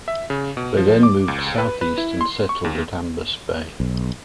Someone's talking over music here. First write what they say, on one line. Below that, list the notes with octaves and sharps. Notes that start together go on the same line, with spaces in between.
They then moved southeast and settled at Ambas Bay.
E5
C#3
B2
F3
D6
C#2
B4
B4
E4
C6
C#6
D#2
B1